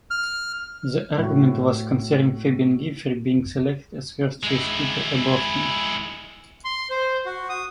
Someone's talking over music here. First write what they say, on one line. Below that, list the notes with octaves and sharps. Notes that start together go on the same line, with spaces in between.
The argument was concerning Fabian Giefer being selected as first choice keeper above him.
F6
A2 F#4
G#3 E4
C6
C5
F#4
D#6